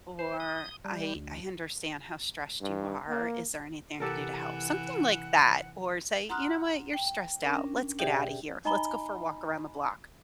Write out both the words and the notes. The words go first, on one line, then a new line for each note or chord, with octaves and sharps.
or "I I understand how stressed you are. Is there anything I can do to help?" Something like that. Or say, "You know what? You're stressed out. Let's get out of here. Let's go for a walk around the block."
C5
D#6
G3
D2
G2
A#3
C3 E3 G4 A4 A#4 F#5
F#5 A#5 C6 D#6 F6 F#6
G5
C#4 D4 A#4
B2 G4 G#4 D5 E5 G5
D#4 D#5 G#5 A#5 B5 G7